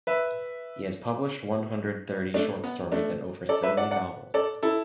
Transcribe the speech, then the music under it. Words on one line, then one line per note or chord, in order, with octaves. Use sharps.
He has published one hundred thirty short stories and over seventy novels.
B4 E5
A3 D4
B3
A3 D4
A4 D5
B4 E5
D5 F#5
D5 F#5
A4 D5
E4 A4